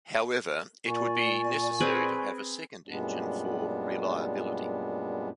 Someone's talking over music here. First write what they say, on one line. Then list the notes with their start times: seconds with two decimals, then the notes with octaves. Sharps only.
However, it would be necessary to have a second engine for reliability.
0.87 A#2 D5 G#5 C#6
1.80 C4 G#4 B4
2.87 F#2 A#2 G3 G#3 B3 D4